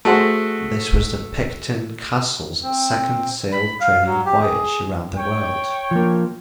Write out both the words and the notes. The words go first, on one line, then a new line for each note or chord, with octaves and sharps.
This was the "Picton Castle's" second sail-training voyage around the World.
A3 F#4 G#4 C5
C4
B5
F5
F#3
G4
G#4
C#5 G5
F3 A#3